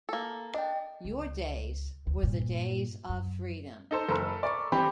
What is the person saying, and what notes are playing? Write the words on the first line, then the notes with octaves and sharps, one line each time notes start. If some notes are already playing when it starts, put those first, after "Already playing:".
Your days were the days of freedom.
A#3 A4
D4 D#5 G5
C#2
D2
G2 A#2
F#2
D#4 A4 C5
F#1 A4 A#4 B5
D5 C#6
E3 C4 G4 B5